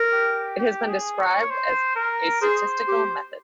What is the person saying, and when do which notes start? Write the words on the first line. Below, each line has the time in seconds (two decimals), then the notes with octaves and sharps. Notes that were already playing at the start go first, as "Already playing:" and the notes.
It has been described as a "statistical method".
Already playing: A#4
0.13 G4
0.58 G4
0.89 G#4
1.20 C#5
1.50 C5
1.96 A#4
2.42 G#4 C5
2.88 G4